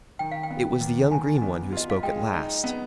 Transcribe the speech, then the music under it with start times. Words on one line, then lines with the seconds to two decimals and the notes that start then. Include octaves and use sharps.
It was the young green one who spoke at last.
0.19 D#3 G5
0.32 F5
0.43 G5
0.51 B3
0.81 D#2
1.11 D#3 G#5
1.42 B3
1.73 F4 D#5
1.90 F5
2.03 G#3 G5
2.34 D#4
2.64 B3